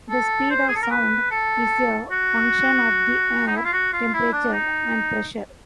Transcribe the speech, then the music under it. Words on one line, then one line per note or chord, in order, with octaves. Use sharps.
The speed of sound is a function of the air temperature and pressure.
A4
C5
G#4
A4
A#4
B4
A4
F#4
D#4
E4
F4
F#4
F4
E4
D4
D#4